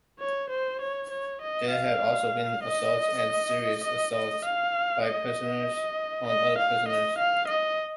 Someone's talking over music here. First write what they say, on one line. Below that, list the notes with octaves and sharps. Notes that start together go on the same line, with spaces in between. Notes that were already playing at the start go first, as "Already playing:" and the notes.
There have also been assaults and serious assaults by prisoners on other prisoners.
C#5
C5
C#5
C#5
D#5
F5
D#5
D#5
D#5
F5
D#5
D#5
F5
D#5
F5
D#5